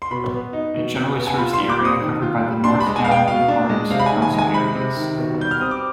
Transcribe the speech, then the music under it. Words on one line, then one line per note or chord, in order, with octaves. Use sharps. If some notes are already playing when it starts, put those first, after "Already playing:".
It generally serves the area covered by the North Down and Ards council areas.
C6
B2 B5
B3
D#4
B2
B2
B3
G#5
F4 B5
C6
G3
D6
C4
D#6
D#3
F4
G3
D4 C6
B5
G#3
G#5
B3 F5
G5
B2 F5
D4
G#3
C3 F5
B5
G#5
D#3
G#5
G#3
G#5
C3 B5
C3
D#3
B2
G3 G6
F6
C4 D#6
D6